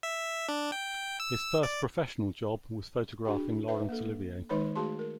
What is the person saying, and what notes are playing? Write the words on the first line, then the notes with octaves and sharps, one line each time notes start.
His first professional job was photographing Laurence Olivier.
E5
D4
G5
E6
D5
D4 F#4 G#4 G5
B4 E5
A#3 A4
D#3 G#3 D#4 B4 C#5 B5
A3 F#4 G#4 A5 C6
A#4